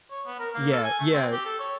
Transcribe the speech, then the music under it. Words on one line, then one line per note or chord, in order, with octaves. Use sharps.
Yeah, yeah.
C#5
B3
A#4
A#3
A4
G#5
A3
C4
G4
A4
C#5